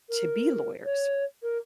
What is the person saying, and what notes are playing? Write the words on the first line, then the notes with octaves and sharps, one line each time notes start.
to be lawyers,
A#4
C#5
A#4